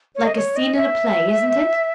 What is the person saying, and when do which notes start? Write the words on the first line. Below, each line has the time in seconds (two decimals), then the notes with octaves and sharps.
"Like a scene in a play, isn't it?"
0.15 C#5
0.25 D#5
0.36 C#5
0.56 D#5
0.76 E5